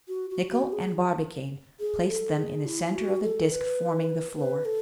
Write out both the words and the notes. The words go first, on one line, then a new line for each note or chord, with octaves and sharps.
Nicholl and Barbicane placed them in the center of the disc forming the floor.
F#4
F#4
F#4
G#4
G#4
A4
G#4
E4
F#4
A4
B4
B4
A4